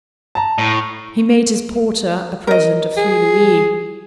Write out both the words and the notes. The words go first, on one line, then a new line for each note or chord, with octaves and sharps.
He made his porter a present of three louis.
A5 A#5
A2
A#4 D#5
G#4